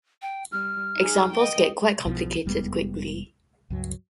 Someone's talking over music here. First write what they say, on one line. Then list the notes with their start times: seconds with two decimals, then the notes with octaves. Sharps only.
Examples get quite complicated quickly.
0.22 G5
0.52 G3 F6
0.96 D#4 G#4
1.33 D#5 G5
2.06 B1 B2 D#3 F3
2.45 F1 G3 G#3 B3
3.70 C#2 G2 F#3